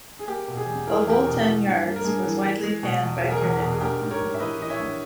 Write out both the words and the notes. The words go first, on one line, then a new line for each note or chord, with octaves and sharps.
"The Whole Ten Yards" was widely panned by critics.
G#4
A#3 G4
B2
G#4
E2
E4 A#4
G#4
E2 G4 A#4
B2
E3
G2
A#3
A#4
G2 G#4
E3
E3
G#3
B2
E2
B2 G#4
A#4
E2 G#4
B2
G#4
A#1 G4 A#4
G#2
A#4 C#5
A#1
E5
E3 B4 D#5
E3 D#5
C#5 E5
A#1